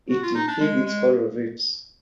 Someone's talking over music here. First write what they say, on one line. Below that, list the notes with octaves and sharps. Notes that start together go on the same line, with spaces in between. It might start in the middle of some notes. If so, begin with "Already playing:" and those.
It inhabits coral reefs.
F#4
F4
D#4
D4
G#3
G#3